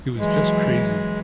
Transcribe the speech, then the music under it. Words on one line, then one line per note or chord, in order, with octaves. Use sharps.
It was just crazy.
E3 F#3 G#3